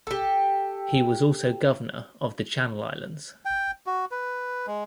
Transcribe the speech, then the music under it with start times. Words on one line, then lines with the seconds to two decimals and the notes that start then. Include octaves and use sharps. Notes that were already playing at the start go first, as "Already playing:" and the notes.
He was also governor of the Channel Islands.
0.07 G4 A4
3.45 G5
3.86 F#4
4.11 B4
4.67 G#3